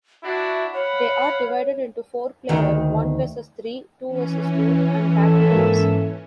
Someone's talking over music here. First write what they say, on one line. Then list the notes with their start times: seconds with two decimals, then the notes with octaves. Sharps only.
They are divided into four-player, one versus three, two versus two, and battle games.
0.23 D4 E4 F#4 E5
0.73 C#5 F5 F#5 B5
2.49 D2 D#3
4.05 E3 C#4
5.12 A4 E5
5.50 G#2 A#3